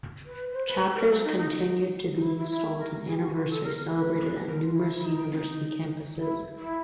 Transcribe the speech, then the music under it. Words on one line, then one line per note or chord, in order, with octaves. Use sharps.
Chapters continue to be installed and anniversaries celebrated at numerous university campuses.
B4
C5
B4
A#4
A4
D#4
D#4
D#4
E4
E4
E4
A#4
G#4
G4
F#4
F4
A4
A#4
B4
A#4
F4
E4
E4
D#4
D#4
E4
E4